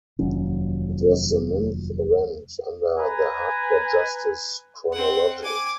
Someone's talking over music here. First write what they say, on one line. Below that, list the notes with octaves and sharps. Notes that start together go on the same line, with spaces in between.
It was the ninth event under the Hardcore Justice chronology.
F1 D#2 F#3 C#4
B4 G#5 A#5
C4 F#5
G#5 D6